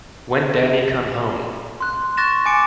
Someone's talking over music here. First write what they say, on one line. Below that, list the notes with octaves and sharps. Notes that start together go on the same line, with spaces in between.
When Daddy come home?
C6 F#6
C#6 F#6 A6 A#6 E7
G#5 D6 C#7 D7